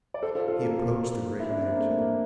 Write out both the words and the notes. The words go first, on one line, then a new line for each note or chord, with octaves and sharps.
He approached the great mansion.
D5
A4 C5
F4 A4
F4 A4
A#3
E4
D4
C4
A#3
A3
A#3